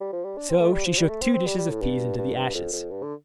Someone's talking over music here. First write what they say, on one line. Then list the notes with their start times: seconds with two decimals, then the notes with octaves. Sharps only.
So she shook two dishes of peas into the ashes.
0.01 G3
0.13 F3
0.25 G3
0.37 D4
0.49 C4
0.61 A3
0.73 G3
0.86 F3
0.98 G3
1.09 A3
1.22 C4
1.34 C4
1.46 G3
1.58 G3
1.70 A2
1.82 G2
2.18 G2
2.36 G2
2.54 F2
2.72 F2
2.91 G2
3.03 D3